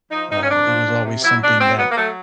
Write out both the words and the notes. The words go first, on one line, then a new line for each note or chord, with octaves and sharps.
uh, it was always something that
F3 D#4
C3 D#4
C#4
C3 D4
F3
F3
C3
F#3 E4
B2 D4
B2 C4
F#3 B3
A#3
F#3 A3